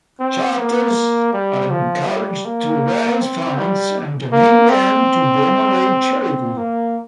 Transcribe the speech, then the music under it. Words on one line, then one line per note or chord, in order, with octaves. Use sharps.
Chapters are encouraged to raise funds and donate them to a DeMolay charity.
C4
A#3
G3
F3
G3
A#3
C4
G3
A#3
C4
C4
A#3